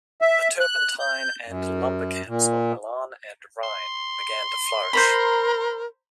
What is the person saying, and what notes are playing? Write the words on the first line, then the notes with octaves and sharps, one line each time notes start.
The turpentine and lumber camps of Milan and Rhine began to flourish.
E5
F#6
G6
F#2
A#2
C6
A#4 C5 A#5 B5